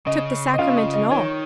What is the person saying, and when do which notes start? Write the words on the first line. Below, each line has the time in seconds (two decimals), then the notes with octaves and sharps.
"Took the sacrament and all."
0.07 C#3 D#5
0.54 D#5
0.58 C#3 F4 F5
0.77 D#5
0.94 D#5
1.11 D#3 C#5